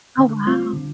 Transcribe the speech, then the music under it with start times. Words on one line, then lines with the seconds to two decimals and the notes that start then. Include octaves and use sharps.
Oh, wow.
0.18 D3
0.46 G3 C4 F4
0.73 D3